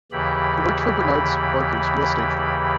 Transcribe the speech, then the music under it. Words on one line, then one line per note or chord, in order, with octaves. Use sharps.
He worked for Bernard Barker's real estate firm.
D#2 C#3 E3 G4 B5